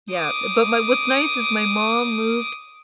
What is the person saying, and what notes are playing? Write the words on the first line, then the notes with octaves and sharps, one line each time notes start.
Yeah, but my what's nice is my mom moved
D6 D#6